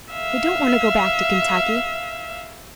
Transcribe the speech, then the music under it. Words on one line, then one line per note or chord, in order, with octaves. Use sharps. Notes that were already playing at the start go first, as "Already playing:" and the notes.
I don't want to go back to Kentucky!
E5 F5